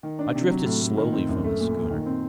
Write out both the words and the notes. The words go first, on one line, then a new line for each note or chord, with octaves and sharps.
I drifted slowly from the schooner.
D#3
D4
C3
F#3
A2
A2
D#3
C4
F#2
A3
A#2
A#2
D#3
C4